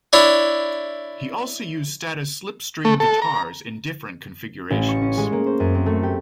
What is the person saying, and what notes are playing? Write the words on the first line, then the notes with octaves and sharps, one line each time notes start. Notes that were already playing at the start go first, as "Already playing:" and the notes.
He also used Status Slipstream guitars in different configurations.
D4 E4 C#5
A3
A4
A#5
A1
C#6
C#4
G#3
A#3
C5
F#2
C4
A3
G4